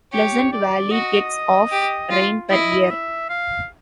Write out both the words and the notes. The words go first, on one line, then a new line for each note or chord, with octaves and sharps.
Pleasant Valley gets of rain per year.
G4 C#5
D5
F#4 D#5
G4
F4
E4 D#5
E5
F5